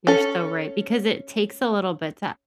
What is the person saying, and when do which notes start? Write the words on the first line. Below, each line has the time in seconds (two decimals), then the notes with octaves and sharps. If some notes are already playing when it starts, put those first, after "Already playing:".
You're so right, because it takes a little bit to
0.07 C#4 A4